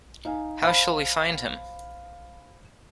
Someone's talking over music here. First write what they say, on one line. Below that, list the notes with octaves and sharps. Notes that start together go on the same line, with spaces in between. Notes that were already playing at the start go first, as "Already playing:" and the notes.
How shall we find him?
D#4 F5 G#5
C5 F5 A5 B5